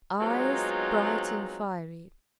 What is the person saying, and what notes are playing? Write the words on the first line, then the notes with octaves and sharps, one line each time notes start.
EYES--Bright and fiery.
F#3 G#3 B3 C4 D#4 F4